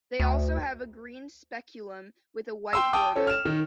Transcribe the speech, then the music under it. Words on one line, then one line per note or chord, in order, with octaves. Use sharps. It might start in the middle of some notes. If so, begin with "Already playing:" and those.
They also have a green speculum with a white border.
D2
G5 C6 E6
G5 A5 D6 D#6
C#4 A4 C#5
F6 E7
D#3